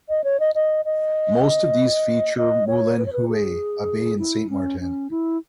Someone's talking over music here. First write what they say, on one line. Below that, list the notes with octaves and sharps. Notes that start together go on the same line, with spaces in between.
Most of these feature "Moulin Huet", a bay in Saint Martin.
D#5
C#5
D#5
D#5
D#5
D#5
C#5
B4
C#5
B4
G#4
E4
C#4
C#4
E4